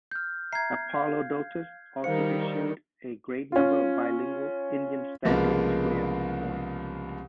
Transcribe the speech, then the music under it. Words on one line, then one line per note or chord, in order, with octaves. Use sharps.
Apollodotus also issued a great number of bilingual Indian-standard square coins.
F6 G6
E5 A#5 G#6 C7
F5
D#3 G3 C5 F5 C#7
C#4 F4
C2 C#3 F3 G#3 A#3 B3